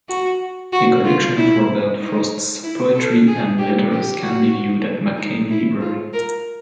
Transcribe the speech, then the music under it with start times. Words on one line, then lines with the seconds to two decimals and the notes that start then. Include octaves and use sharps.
A collection of Robert Frost's poetry and letters can be viewed at McCain Library.
0.09 F#4
0.73 F#4
1.05 F4
1.37 E4
2.00 D#4
2.63 E4
2.95 A4
3.27 G#4
3.59 G4
3.91 G4
4.22 F#4
5.17 D#4
5.50 E4
5.81 F4
6.13 A#4